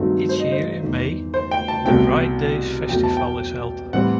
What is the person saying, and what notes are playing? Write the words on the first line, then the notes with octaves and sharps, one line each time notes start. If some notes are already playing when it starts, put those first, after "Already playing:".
Each year in May, the Bright Days festival is held.
Already playing: G2 D#3 F#3 A3 C4
C5
D#5
C5
E2 D#3 A3
C5
G5
A5
C2 B2 A3 C4 G5
E2 B2 F#3 A3 G5
A5
G5
A2 E3 G3 C4 F#5